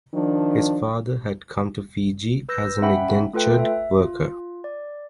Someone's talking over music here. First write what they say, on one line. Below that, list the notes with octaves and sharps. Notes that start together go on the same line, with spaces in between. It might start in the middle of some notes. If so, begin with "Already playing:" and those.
His father had come to Fiji as an indentured worker.
D#3 F3 D4
B4 E6 G6 A#6
C#4 E5 F#5 G5 B5
A3 F4 A4 B4 G5
E5
F4
D5